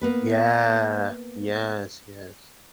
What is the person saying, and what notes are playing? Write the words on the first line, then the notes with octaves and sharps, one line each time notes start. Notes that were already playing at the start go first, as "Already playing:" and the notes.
Yeah. Yes, yes.
A#3 B3 B4